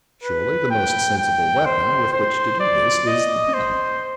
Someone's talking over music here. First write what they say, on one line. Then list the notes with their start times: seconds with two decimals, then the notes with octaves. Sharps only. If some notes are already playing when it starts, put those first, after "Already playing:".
Surely the most sensible weapon with which to do this is the pen.
0.24 B4
0.71 G5
1.18 G5
1.65 C5
2.13 C5
2.60 D5
3.07 D#5
3.54 C5